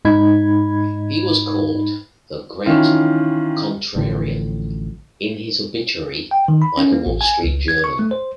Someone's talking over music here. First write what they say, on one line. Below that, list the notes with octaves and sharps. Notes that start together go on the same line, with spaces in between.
He was called "The Great Contrarian" in his obituary by "The Wall Street Journal".
G#2 D#4 B5 G#6
D#3 E3 C#4 E4 F4
A1 A2 D3 F3
G5
D#3
B5
C#4
A#3
A1
G#5
C#2
G#6
C#6
A3
C5